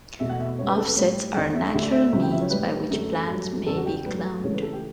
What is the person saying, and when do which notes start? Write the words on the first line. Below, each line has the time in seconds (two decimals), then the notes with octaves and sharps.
Offsets are a natural means by which plants may be cloned.
0.19 E2 B2 A3 E5
0.29 F#5
0.40 E5
0.58 F#2 C#3 G3 C#5
0.68 B4
0.78 A4
0.87 B4
0.96 A2 G3 C#5
1.35 E2 D3 A3 D5
1.55 E5
1.74 D2 D3 A3 E5
1.83 D5
1.91 E5
2.13 C#2 C#3 F#3 E5
2.22 G5
2.31 E5
2.41 C#5
2.50 A2 G3 B4
2.89 F#2 D3 A3
3.28 G2 F#3 A3
3.66 E2 C#3 E3 A4
3.77 F#4
3.86 G4
3.96 G4
4.05 G2 F#3 A3 B4
4.44 C#2 C#3 E3 A3 C#5
4.54 B4
4.63 A4
4.73 G4